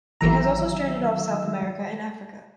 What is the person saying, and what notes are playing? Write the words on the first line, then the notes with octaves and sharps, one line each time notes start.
It has also stranded off South America and Africa.
A1 D#3 E3 F#3 E5 A#5